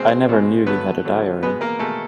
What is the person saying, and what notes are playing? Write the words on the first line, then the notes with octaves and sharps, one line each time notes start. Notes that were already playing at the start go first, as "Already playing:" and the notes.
I never knew he had a diary.
Already playing: B2 G#3 C4 C5
B2 G#3
D3 F#3 A3 B3 B4
D3 F#3 A3
B2 G#3 B3 B4
A#3 A#4
B2 G#3 A3 A4